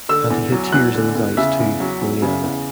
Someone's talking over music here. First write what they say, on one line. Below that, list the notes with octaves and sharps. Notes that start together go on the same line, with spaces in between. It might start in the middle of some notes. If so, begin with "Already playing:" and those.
And he had tears in his eyes too, Liliana.
D3 E6
E2
F#3
E2 F#6
D3
E2
C#3 E5
E2
F#3
E2
C#3
E2